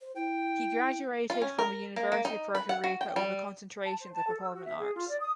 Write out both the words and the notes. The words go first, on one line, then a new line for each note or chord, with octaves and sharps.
He graduated from the University of Puerto Rico with a concentration the performing arts.
C5
E4 G5
F4
C#4
A#4
A#3
A#3
D#4
B4
F#5
F#4
G5
G3
A5
C5
A5
A4
E6
F#4
E5
G#4
F4
D5
D#6